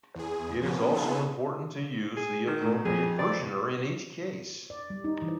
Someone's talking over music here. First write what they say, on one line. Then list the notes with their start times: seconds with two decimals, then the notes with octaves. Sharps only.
It is also important to use the appropriate versioner in each case.
0.15 E2 G#4
0.61 F3 A#3 B3 C#4
0.93 B3 D#4 F4 G#4 A4 B4
2.17 G#4
2.47 D#3
2.61 A2
2.85 F2 G#4
3.19 D5
4.70 D5
4.90 G3
5.04 D#4
5.22 E3